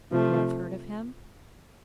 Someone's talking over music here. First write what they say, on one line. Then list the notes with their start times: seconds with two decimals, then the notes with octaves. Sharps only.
You have heard of him?
0.11 C3 F3 A3